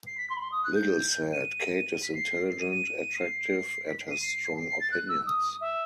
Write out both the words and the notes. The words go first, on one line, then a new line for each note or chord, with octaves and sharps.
Liddle said: Kate is intelligent, attractive and has strong opinions.
C7
B6
C6
B5
C6
D#6
F#6
G6
G6
D#7
B6
C7
C7
D#7
D#7
C7
B6
C7
D#7
C7
C7
C7
A6
F#6
E6
D#6
E5